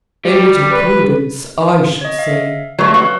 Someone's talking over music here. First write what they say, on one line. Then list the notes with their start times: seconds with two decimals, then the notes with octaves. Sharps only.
"A little prudence I should say."
0.25 G3
0.71 B4
2.01 C#5 D#5
2.19 E5 F5
2.79 F#3 A3 B4
2.94 F#3 F5